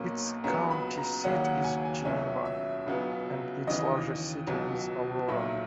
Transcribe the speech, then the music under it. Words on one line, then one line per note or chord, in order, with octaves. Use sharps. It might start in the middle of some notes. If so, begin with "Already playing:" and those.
Its county seat is Geneva, and its largest city is Aurora.
Already playing: B1 B2 A#3 C#4
C#2 C#3 F#3 B3 A#5
B5
A#5
D#2 C#3 F#3 A#3 C#4 F#5
F#5
G#5
G#5
C#2 B2 F#3 C#4 E5
E5
C#2 C#3 F#3 B3
D#2 C#3 E3 D#5
C#2 B2 F#3
B1 A#2 F#3 E5